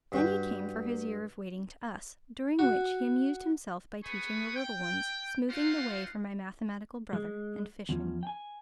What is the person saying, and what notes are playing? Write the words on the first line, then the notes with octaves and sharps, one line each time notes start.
Then he came for his year of waiting to us, during which he amused himself by teaching the little ones, smoothing the way for my mathematical brother, and fishing.
G2 F#4 G5
F#4
B3 G#4 B4 B5 C#6 D#6
G5
D#4 F4 F#4 C5 F5 F#5
G#3
E2 F3 C#4
G5 G#5